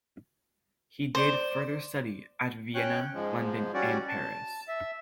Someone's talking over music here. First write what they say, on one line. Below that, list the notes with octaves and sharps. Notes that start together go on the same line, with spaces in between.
He did further study at Vienna, London and Paris.
C5 D5
C#4 C#5 G5 F#6
G#2 F3 G#3
G3 C#4 F#4 D5
A5
E5